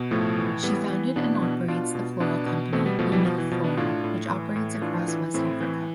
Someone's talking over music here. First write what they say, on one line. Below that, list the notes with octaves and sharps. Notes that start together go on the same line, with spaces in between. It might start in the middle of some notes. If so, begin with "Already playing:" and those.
She founded and operates the floral company "Unique Floral" which operates across West Africa.
Already playing: B2
A2 F3 A3
E3
E3 G3 B3
E3
B2 B3 D4
B2
B2 D4 F4
B2
B2 B3 D4
B2
B2 A3 C4
G3 B3
B2 F3 A3
E3 G3
B2 F3
E3
B2 F3
B3 D4
A2 D4 F4
A2
E3
A2
E3 D4 F4
E3
A2 C4 E4
E3